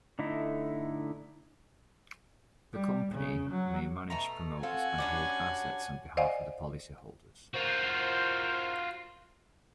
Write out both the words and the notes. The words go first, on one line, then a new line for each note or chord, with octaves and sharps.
The company may manage, promote and hold the assets on behalf of the policyholders.
D3 A3 D#4 E4
G3
C#3
F#3
B2 A3 A#5
C4 F4 F#4 A4 G#5
G3 C#4 D4
C5 D5 D#5 F5 F#5 G#5
F4 F#4 A#4 C5